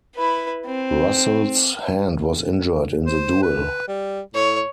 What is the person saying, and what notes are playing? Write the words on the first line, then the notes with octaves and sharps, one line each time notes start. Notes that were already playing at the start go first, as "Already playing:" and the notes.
Russell's hand was injured in the duel.
E4 B4
C4
C5
B4
G3
A2 C#5